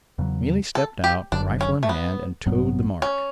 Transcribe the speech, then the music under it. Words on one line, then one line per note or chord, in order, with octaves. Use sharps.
Mealy stepped out, rifle in hand, and toed the mark.
E2 C#3 F#3
A4
G4
F#1 F#2 D3 D4
C#4
A3
B3
A1 G2 F#3 B3
C#4